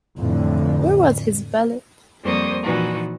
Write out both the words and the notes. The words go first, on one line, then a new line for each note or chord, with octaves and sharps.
Where was his valet?
F2 A2 D3 E3
F2 G3 A#3 C5 C#6 D#6
A#2 E3 F3 D#4 F#4 B4